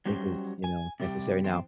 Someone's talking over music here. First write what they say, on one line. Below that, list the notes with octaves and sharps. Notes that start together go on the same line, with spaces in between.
think is, you know, necessary. Now,
F#3 G3 C#4 G4 C5
G#5
C3 G3 G4
E2 C4